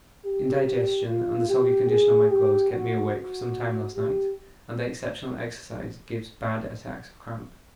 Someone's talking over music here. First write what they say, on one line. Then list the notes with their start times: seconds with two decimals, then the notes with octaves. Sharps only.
Indigestion and the soggy condition of my clothes kept me awake for some time last night, and the exceptional exercise gives bad attacks of cramp.
0.24 G4
0.65 G4
1.06 F4
1.48 G4
1.89 G#4
2.30 G4
2.71 F#4
3.13 F#4
3.95 G4